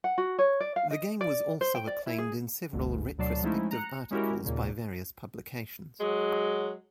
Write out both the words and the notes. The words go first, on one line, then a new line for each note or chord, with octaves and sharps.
The game was also acclaimed in several retrospective articles by various publications.
F#5
F#4
C#5
D5
F5
D#5
D5
C5
G5
D5
E4
G#4
G1 D2
D2 B2 F#3 D5 A5 C7
F3 G#3 A3 C#4 D#4 E4
A#5 F#6 C#7
G#3 C#4 E4 F#4 G4 A#4
D#2 A#2 C#3
F#3 G#3